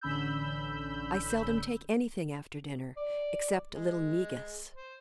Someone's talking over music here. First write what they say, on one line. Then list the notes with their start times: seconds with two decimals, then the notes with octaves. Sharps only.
"I seldom take anything after dinner, except a little negus."
0.01 A1 D3 C#4 B5 E6 G6
2.97 D5
3.72 G#3
4.75 C5